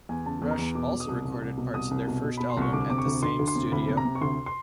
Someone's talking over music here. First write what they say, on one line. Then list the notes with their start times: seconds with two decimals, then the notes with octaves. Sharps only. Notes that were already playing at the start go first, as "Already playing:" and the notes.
Rush also recorded parts of their first album at the same studio.
0.09 E2 G#5
0.26 C#3 A5
0.42 E2
0.51 A#5
0.59 E2
0.75 B2 D6
0.92 B2
1.00 D#6
1.08 C2
1.25 C2
1.42 C2
1.58 B2
1.74 C2 D#6
1.91 C2
2.08 B2
2.24 B2
2.37 B2 B5
2.50 C6
2.57 C2 C#6
2.73 D2 D6
2.90 C3 D6
2.98 C#6
3.06 D2
3.23 D2 C6
3.39 D2
3.48 C6
3.56 C3
3.72 D2 B5
3.89 C3
3.97 A#5
4.05 C3
4.15 C#6
4.21 D2 C6
4.46 C6